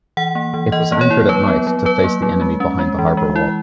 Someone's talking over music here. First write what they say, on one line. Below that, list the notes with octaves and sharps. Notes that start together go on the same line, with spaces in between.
It was anchored at night to face the enemy behind the harbour wall.
E3 F#5
A#3
E3
E3 D#5
A#3
C#5
E4
F#3 B4
B3
F#3
F#3 B4
A#3
F#3
G#3
C#4
G#3
E3
G#3
E4